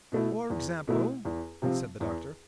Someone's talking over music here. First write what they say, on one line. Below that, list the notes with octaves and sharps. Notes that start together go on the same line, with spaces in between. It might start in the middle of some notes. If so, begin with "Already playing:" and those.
"For example?" said the Doctor.
B2 A3 E4
E2
B2 A3 E4
E2
C3 F3 C4
E2